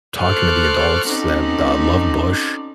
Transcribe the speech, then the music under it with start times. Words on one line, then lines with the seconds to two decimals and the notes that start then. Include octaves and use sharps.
talking to the adults that, uh, loved Bush,
0.18 A4 C5 C#6 D6 F6 F#6
1.08 C4 C#4 D#4 F#4 A4 D5